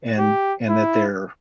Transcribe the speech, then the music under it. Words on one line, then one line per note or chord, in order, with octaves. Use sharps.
and and that they're
G4
E4